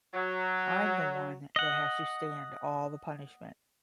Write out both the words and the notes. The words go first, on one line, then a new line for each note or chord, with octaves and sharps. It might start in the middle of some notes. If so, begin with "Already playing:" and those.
I'm the one that has to stand all the punishment.
F#3
D#5 F#5